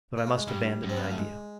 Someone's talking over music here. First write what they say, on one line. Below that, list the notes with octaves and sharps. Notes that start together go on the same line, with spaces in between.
But I must abandon the idea.
A#3
A3
G#3
G2 G3
F#2
C4
B3
A#3
A3
G#3